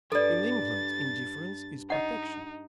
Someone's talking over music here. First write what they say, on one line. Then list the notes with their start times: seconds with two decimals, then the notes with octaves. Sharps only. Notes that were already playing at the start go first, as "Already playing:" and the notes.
In England, indifference is protection.
0.12 G2 G3 A4 D5 A6
1.90 D#4 D#5 F#5